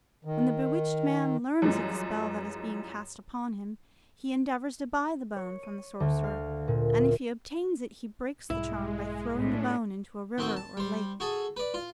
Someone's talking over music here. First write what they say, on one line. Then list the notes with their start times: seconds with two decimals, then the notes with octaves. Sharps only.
When the bewitched man learns of the spell that is being cast upon him, he endeavours to buy the bone from the sorcerer, and if he obtains it he breaks the charm by throwing the bone into a river or lake.
0.25 D#3
1.62 F#2 E3 F3 G3 G#3
5.36 C#5
5.63 D#7
6.00 D2
6.24 F5
6.68 A#2
8.50 B1 G#2 G3 G#3 E4
9.35 A2 C#4 D4
10.38 D#3 C4 F#4
10.56 A5
10.77 G3 C5
11.20 F#4 G#4 A4
11.57 B4 D5
11.74 F4